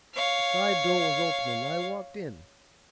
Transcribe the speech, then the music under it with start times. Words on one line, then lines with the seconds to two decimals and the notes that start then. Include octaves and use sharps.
The side door was open and I walked in.
0.15 C#5 F5